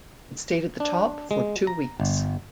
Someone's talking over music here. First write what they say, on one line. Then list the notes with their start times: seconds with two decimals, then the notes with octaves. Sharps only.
It stayed at the top for two weeks.
0.80 D4
1.31 G#3
1.67 A#5
2.00 G1